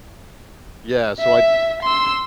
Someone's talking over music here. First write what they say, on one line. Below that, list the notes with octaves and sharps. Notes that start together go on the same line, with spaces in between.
yeah, so, I t
E5
C6 E6